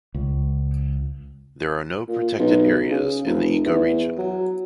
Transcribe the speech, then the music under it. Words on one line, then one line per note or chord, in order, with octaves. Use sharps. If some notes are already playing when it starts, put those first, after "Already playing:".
There are no protected areas in the ecoregion.
C#2
A#2
B1
C#3
F1
E2
F#3